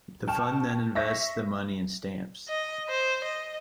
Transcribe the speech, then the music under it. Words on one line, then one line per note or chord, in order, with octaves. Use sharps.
The fund then invests the money in stamps.
G5 A5 C#6 F6 E7
E5 C#6 A#6
D#5
C5
D#5